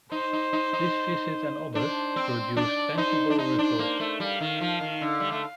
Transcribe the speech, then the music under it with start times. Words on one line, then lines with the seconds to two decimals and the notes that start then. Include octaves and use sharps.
This visit and others produced tangible results.
0.12 D#4 C5
0.33 D#4
0.53 D#4
0.73 D#4
1.75 D4 C5
2.16 C4
2.56 D4 D5
2.97 D#4 C5
3.30 D4
3.38 D#4 C5
3.59 D4
3.79 A#3
4.00 A3
4.20 G3 F5
4.41 D#3
4.61 F3
4.81 D#3
5.01 D3
5.20 G3
5.31 A3